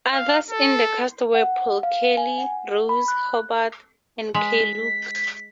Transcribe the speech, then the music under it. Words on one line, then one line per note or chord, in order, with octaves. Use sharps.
Others in the cast were Paul Kelly, Rose Hobart and Keye Luke.
F5
A4
F#5
F5
G#5
F#5
B5
F#6
G#3 B6